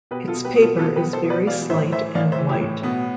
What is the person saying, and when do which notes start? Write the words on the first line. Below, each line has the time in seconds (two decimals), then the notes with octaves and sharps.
Its paper is very slight and white.
0.11 B2 G4 B4
0.28 F4 A4
0.34 B2
0.45 G4 B4
0.56 B2
0.62 F4 A4
0.79 B2 F4 A4
0.96 G4 B4
1.02 B2
1.13 A4 C5
1.25 B2
1.30 B4 D5
1.47 E3 D5 F5
1.70 A2 C5 E5
1.92 E3 C5 E5
2.15 A2 D5 F5
2.32 C5 E5
2.38 E3
2.49 E4 G4
2.61 A2
2.83 B2 B3